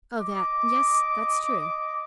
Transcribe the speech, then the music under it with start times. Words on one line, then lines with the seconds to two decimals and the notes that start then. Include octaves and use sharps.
"Oh, that,--yes, that's true."
0.20 D#5 D6